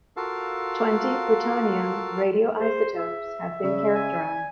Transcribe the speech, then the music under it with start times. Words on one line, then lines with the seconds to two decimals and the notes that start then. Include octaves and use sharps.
Twenty plutonium radioisotopes have been characterized.
0.17 F4 F#4 A4 A#4 F5 A5
2.60 G#4 C5
2.96 E5
3.64 C#3 D5
3.95 G#5